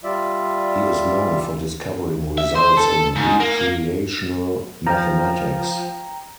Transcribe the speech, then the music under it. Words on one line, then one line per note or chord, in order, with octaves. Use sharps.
He is known for discovering results in recreational mathematics.
G3 F4 D5 E5
E5
C5
A4
G#2
A#3
F3 G5 A#5